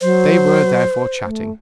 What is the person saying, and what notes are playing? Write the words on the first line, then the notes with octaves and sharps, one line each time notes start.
They were therefore chatting.
F#3 C5
A3